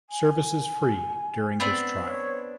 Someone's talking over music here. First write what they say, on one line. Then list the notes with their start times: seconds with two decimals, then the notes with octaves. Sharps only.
Service is free during this trial.
0.10 G#5
1.60 B3 C4 D4
2.05 C#5